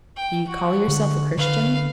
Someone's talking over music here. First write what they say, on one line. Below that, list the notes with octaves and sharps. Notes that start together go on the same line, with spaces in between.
"Do you call yourself a Christian?"
G5
F#4
D3
D3 B4 F5